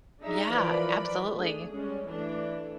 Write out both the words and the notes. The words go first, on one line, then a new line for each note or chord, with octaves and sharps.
Yeah, absolutely.
D4 D#4 G#4 E5 A#5
E3 F3 A#4 B4 D5 B5
A3 D4 G#4
G3 G#3 C#4
E3 A3 D4 E4